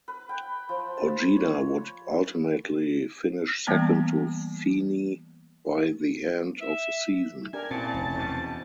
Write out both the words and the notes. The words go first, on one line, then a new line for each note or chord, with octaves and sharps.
Ojeda would ultimately finish second to Feeney by the end of the season.
B4
G5
F3
A5
C#5
E3 G3 A#3 B3 G5 A#5
E5
D4 G4 A#4 G#5
A#2 C4 C#4 E4 A5
F1
E2 B2 C4